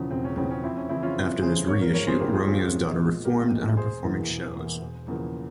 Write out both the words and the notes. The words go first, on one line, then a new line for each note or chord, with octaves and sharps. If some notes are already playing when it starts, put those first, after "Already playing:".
After this reissue Romeo's Daughter reformed and are performing shows.
Already playing: E1 E2 C#3 F3 C#4
E1 C4
C#4
E2 C#3 F3 C4
C#4
F2 C4 E4
C#4
C#3 E3 C4 E4
C#4 F4
F2 C#4
C#3 E3 G#4 C5
G#1 A#4 C#5
A#4 C#5
G2 F3 G#3 A#4 C#5
G#4 C5
G#1 G4 A#4
F4 G#4
G2 F3 G#3 C#4
F4 G#4
A#1
A#2 G#3
A#1 G4 A#4
A#2 G#3
E1 G#4 C5
E2 E3 A#3
E1
E2 E3 A#3
E1
E2 C#3 F3 A#3